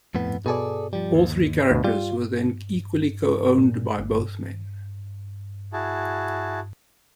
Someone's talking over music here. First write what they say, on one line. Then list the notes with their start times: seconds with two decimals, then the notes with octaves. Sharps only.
All three characters were then equally co-owned by both men.
0.15 F2 A2 B3
0.46 B2 G#4 A4 D5 G#5
0.93 F3 G3
1.15 D#2
1.71 D2 B2
1.84 G3 F4
3.58 A#2
3.98 G1
5.73 E4 F#4 G#4 A5